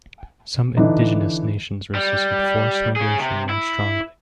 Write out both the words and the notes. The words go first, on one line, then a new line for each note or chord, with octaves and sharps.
Some indigenous nations resisted forced migration more strongly.
D3 E3 D4 D#4
G3
C#4 G#4
C3
E4